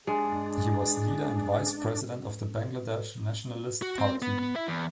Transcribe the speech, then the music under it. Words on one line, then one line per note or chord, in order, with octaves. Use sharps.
He was leader and Vice President of the Bangladesh Nationalist Party.
G#3 D4 G#4
F#4
C4
B3
B3
E4 E5
E2